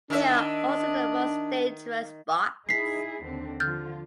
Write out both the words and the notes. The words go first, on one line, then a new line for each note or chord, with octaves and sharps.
They are also the most dangerous bots.
D#3 D4 E5
D#4 E4 G#4 B6 C7
D#2 D3 C4
D3 F3 F4 F6 G6 A6